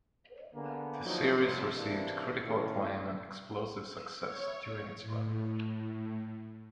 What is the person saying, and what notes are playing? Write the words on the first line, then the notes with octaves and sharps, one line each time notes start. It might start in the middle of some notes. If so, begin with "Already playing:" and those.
The series received critical acclaim and explosive success during its run.
D3 A#3 B3 G#4
F3 F#3 D#4 F#4
C2 F2 A2 F#3
C3 E3 A#3 D4
A2 D#3 C#4 D4
C#5
A2